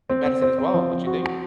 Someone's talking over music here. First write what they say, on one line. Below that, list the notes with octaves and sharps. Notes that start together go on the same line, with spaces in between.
than medicine as well, don't you think?
C4
C4
C4
C4
F3
C4
F#4
F#4